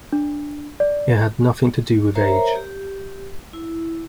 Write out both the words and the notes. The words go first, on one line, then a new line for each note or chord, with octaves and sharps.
It had nothing to do with age.
D4
D5
A#4 C5 C#5 E5 A#5
G4
E4